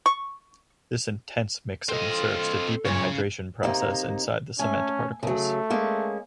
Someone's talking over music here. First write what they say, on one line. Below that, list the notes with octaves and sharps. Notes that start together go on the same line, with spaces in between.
This intense mixing serves to deepen hydration process inside the cement particles.
C#6
C4 F4 A4 D#5
F#2 A#2 C#3 A#3 C#5
C3 A#3 D#4
A3 C#4 G#5
C#3 F#3 A3
G#3 A#3 C#4